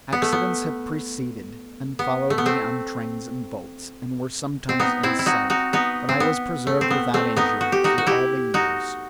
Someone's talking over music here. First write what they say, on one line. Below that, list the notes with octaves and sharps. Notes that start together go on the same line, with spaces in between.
Accidents have preceded and followed me on trains and boats, and were sometimes in sight, but I was preserved without injury through all the years.
B3
A3
B3
B3
A3
B3
A3 C4
C4
B3 D#4
C4 E4
E4
D#4 F#4
D#4 F#4
B3 D#4
C4
B3
A3
C4
B3
A3 C4
B3 D#4
F#4
G4
D#4 F#4
F#4
E4 G4
D#4 F#4